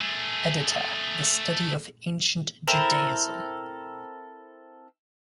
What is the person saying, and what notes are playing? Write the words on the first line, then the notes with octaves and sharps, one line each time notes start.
Editor: The Study of Ancient Judaism.
A3 G#4
C4 E4 A4 A#4